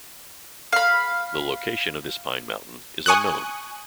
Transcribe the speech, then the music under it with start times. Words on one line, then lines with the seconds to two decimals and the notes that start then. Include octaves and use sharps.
The location of this Pine mountain is unknown.
0.73 F5 B5
3.06 G#5 C#6 D#6 F#6